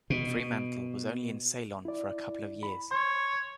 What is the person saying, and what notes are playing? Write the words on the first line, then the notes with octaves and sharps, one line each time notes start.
Fremantle was only in Ceylon for a couple of years.
B2
E4 D5
B5
C#5 C6